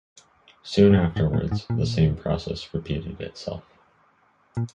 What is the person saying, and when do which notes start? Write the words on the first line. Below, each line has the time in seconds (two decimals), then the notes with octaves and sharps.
Soon afterwards, the same process repeated itself.
0.91 G#2
0.98 F#2
1.16 G#2
1.34 A#2
1.52 G#2
1.70 A#2
4.57 A#2